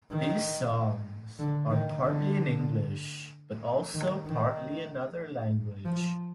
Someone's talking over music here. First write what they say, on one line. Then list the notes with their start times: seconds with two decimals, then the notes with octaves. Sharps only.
These songs are partly in English, but also partly another language.
0.10 D#3
1.39 D3
1.70 D#3
2.02 D3
3.94 D#3
4.26 D#3
5.85 F3